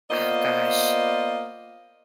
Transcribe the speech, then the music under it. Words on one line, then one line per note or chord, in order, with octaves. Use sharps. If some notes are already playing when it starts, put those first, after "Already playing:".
Oh gosh.
A#3 B3 F4 C5 D5 D#5